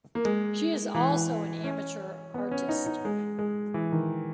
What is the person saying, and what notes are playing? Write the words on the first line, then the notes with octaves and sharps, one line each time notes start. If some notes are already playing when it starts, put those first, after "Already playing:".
She is also an amateur artist.
A#3
G#3
E3
C#4
B3
C#4
D#4
D#4
G#3
G#3
E3
D#3